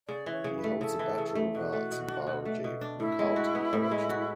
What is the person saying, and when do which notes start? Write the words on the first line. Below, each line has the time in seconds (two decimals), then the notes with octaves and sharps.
He holds a Bachelor of Arts in Biology from Carleton College.
0.08 C#3 D5
0.26 E3
0.32 C#5
0.44 C#3
0.57 B4
0.63 A3
0.81 C#3 A4
0.99 E3
1.18 C#3
1.35 A3
1.54 B2 F#4
1.73 A3
1.91 B2
2.09 D4
2.27 B2
2.45 A3
2.64 B2
2.81 D4
3.00 A2 E4
3.19 G#3
3.36 F#4
3.55 B3
3.73 A2
3.91 G#3
4.09 F#4